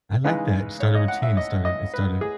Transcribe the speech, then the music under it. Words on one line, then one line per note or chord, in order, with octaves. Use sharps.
I like that. Start a routine. It started it started
C#3 E3 G#3 D#4 B4
C#5
D#5
F#5
E5
D#5
D#5
B4
G#4